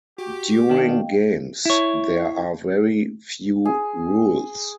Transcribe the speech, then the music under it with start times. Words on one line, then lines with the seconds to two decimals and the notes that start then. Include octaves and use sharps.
During games, there are very few rules.
0.18 F#4 G4
0.70 D#3 D4 D#5 F5 G5
1.65 E4 C#5
3.65 G#4